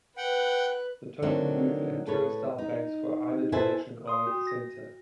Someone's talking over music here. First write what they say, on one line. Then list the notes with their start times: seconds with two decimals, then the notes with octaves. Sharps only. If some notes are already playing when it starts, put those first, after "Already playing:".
The token booth and turnstile banks for either direction are at the center.
0.17 B4 F#5 G5 F#6
1.22 D3 D#3 F#3 A3 C4
2.06 A2 A4 B4 C#5
2.58 D#4
3.52 E4 A4 B4 C5 G#5 A5
4.07 C6 D#6
4.27 F#4
4.47 A#6